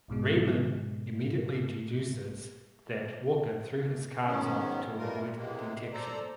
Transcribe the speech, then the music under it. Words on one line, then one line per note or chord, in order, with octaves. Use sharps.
Raylan immediately deduces that Walker threw his cards off to avoid detection.
B1 G#2 B2 G#3
G#2 D#3 F#3 B3 C#4
B2 E3 G3 A3 F4 A#4
A2 C3 E3 G#3 A#3
A4 C5 D5 A#5